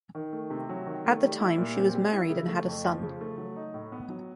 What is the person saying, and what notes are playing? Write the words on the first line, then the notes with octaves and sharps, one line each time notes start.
At the time she was married and had a son.
D#3
A3
C3
F#3
D#3
A3
G3
E4
A#2
C4
G3
E4
C#3
A3
F2
F3
C#3
A3
F#3
D#4
A2
B3
F#3